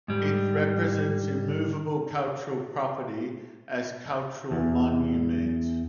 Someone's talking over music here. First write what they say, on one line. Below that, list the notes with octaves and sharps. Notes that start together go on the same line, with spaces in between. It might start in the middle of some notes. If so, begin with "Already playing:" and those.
It represents immovable cultural property as cultural monument.
G#2 G3
E2